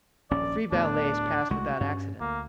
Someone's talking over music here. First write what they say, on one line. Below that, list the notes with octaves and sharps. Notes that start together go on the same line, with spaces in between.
The three valets passed without accident.
D#1 A#1 C#4 D5
D1 A2 B3 D4
C2 G#3 A3 F#4
G2 C#4
D2 A#3